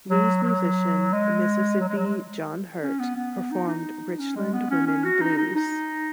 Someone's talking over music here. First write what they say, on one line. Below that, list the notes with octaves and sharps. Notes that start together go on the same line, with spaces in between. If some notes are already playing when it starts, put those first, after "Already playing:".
Blues musician Mississippi John Hurt performed "Richland Women Blues".
F#3
F#3
G#3
F#3
G#3
F#3
G#3
C#4
B3
B3
D#4
D#4
C#4
G#3
B3
C#4
C#4
F#4
D#4
D#4
D#4